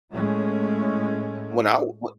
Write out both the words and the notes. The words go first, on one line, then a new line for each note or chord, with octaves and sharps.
when I w w
A2 G#3 A3 C#4